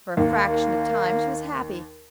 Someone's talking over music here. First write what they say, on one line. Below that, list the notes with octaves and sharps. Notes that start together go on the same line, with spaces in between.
For a fraction of time she was happy.
D#2 A#3